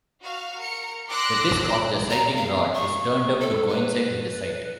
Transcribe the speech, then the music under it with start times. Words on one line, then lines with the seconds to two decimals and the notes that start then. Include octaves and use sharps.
The disk of the sighting rod is turned up to coincide with the sight.
0.21 F#4 F5
0.58 A#4 C#7
1.09 C6 D6 E6 F#6 A#6
2.10 A#5
2.37 F5
2.74 C#6
3.40 A4
3.69 B4